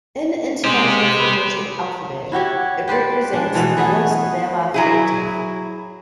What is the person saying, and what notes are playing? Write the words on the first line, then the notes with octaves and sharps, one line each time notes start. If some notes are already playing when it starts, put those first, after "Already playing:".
In International Phonetic Alphabet, it represents the voiced velar fricative.
G#3 G4 C5
B4
E4 F#4 G4 C#5
G4 B4 C5 D5
G#3 D4
B2 E3 A3
A3 B3 G#4 B4
F#3 E4 G#4